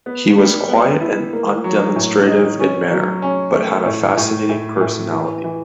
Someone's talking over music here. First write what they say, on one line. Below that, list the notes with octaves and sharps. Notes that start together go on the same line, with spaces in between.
He was quiet and undemonstrative in manner, but had a fascinating personality.
B3
G3
B3
E4
A#3
F#3
A2
D#4
C#4
F#3
C#4
A3
A2
A2
A2
A2
E3
E3